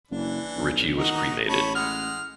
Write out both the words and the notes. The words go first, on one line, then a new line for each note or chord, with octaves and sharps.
Ritchie was cremated.
F#1 E3 D4
B1
D#3 D#4 F#4 A#5
A1 C#5 A5 B5
G#3 F#5 F6